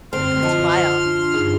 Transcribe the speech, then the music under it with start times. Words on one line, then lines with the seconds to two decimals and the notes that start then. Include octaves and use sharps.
That's wild.
0.13 F#2 D3 C4 C6 F6
0.43 F3 D#5 A5
1.05 D4
1.34 G2 D#4 G#4